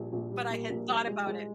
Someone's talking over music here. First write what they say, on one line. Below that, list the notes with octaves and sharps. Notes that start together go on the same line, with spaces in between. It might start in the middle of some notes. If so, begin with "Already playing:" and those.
But I had thought about it.
Already playing: A#1 A#2 G3
A#1
G3
A#3
A#1
G3
G#3
G#3